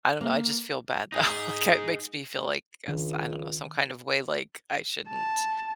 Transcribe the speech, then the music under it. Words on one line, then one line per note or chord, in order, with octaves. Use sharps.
I don't know, I just feel bad, though, like, I it makes me feel like, I guess, I I don't know, some kind of way, like, I shouldn't
A#3
D#4 G#4
C#2 D#3 D4
A5